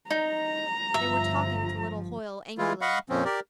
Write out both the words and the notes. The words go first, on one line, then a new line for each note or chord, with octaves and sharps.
They were talking to little Hoyle angrily.
D#4 A#5
G1 F3 E5
E3 G#3 E4 F4
D#5 F5 F#5 B5 C#6
F2 A#2 F3 C4 C#4
G4 A#4 D5